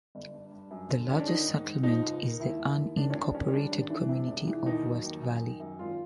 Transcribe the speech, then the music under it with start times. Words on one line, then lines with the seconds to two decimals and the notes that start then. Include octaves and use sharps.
The largest settlement is the unincorporated community of West Valley.
0.15 G1
0.34 G2
0.52 G2
0.71 F#2
0.89 D3
1.09 D3 C#4
1.19 D4
1.27 D#3 D#4
1.46 G#2
1.64 G#2
1.83 F3 D#4
2.02 C#2
2.22 A#3
2.40 D#2 E4
2.59 D#2
2.78 D#2
2.97 D#3 D4
3.10 C#4
3.15 E1 D4
3.34 D#3 C#4
3.48 C#4
3.53 G3 D4
3.71 G#1
3.90 E3
4.09 C3
4.28 E1
4.48 E3
4.66 D#2 D#4
4.85 F#3
5.04 D#2
5.22 F#2
5.41 D#3
5.60 F#2
5.79 G#1 F4